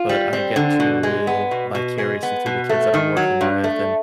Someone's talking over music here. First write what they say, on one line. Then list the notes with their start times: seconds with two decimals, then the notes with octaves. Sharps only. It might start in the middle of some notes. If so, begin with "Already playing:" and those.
but I get to live vicariously through the kids that I'm working with and
Already playing: F4
0.09 G3
0.33 C4
0.56 D3
0.80 B2
1.03 G#3
1.27 B3
1.51 B2
1.75 B2
1.98 G#3
2.23 B3
2.46 B2
2.69 A3
2.94 D#3
3.17 F#3
3.41 G2
3.64 A3